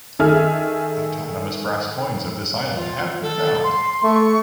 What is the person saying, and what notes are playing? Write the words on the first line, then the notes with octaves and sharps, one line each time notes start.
Autonomous brass coins of this island have been found.
D#3 G#4 A4 E5 G#5 F6
F4
A4
C6
A3 C#6